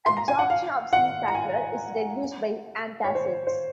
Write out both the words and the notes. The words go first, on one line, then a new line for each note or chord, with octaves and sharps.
Absorption of cefaclor is reduced by antacids.
C6
A#5
G#5
F#5
F5
F#5
A#5
G#5
C#5
C5
C#5
C5